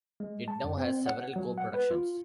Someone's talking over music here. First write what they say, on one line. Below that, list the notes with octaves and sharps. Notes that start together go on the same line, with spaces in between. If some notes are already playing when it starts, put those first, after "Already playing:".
It now has several co-productions.
G#3
A5
F#2
C4
F#5
F#3
F#5
B4
F4